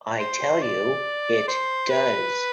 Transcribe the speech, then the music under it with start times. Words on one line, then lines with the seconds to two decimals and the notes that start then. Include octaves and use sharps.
I tell you it does.
0.20 C5
0.62 D5
1.48 C5
1.90 B4